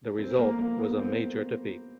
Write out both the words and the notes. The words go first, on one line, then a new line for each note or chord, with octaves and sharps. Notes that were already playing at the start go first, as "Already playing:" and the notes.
The result was a major defeat.
C4
A#3
A#3
B3
C4